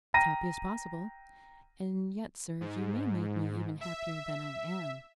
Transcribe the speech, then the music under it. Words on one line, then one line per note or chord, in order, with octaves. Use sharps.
"As happy as possible; and yet, sir, you may make me even happier than I am."
G5 A#5 A#6 D#7
G#2
E5